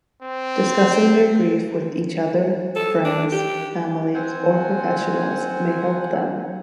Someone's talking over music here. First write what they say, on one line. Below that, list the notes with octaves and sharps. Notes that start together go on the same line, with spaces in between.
Discussing their grief with each other, friends, families, or professionals may help them.
C4
A4
D4
G4
C4 C5 F#5 G#5